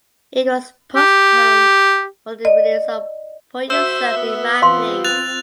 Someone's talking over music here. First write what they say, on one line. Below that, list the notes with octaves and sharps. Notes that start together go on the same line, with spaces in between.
It was postponed for the release of "Put Yourself in My Place".
G4
D5 D#5
F#4 C5 E5 E6
B3
C4 F4 F5 C6
F#6 A6 F7